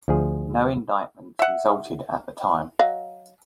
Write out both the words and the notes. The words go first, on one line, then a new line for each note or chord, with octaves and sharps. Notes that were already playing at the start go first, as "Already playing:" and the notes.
No indictments resulted at the time.
D2 F3 G#4
E5 F#5
F#3 D#5 F5